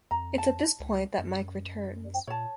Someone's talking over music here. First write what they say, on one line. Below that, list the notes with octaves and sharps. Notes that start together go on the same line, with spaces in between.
It's at this point that Mike returns.
F2 A#5
A5
C#2
F#2
A#2 C#5 A5